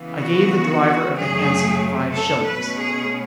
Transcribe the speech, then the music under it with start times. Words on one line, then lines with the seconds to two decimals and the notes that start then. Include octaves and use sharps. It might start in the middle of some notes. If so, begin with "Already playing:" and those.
I gave the driver of the Hansom five shillings.
Already playing: C#3 E3 B3
0.19 F#4
1.16 F#2 C#3 F#3 A3 C#4 G#4
2.12 A4
2.45 B2 A3 C#4 B4
2.77 G#4